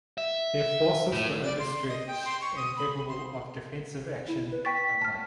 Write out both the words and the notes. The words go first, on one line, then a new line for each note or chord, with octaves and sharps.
Their forces were overstretched and capable of defensive action only.
E5
A2
D5
C6
D#5
G5
C6
C#6
D#6
B5
C6
E4
B4
G5 C#6 A6 B6
A5 F6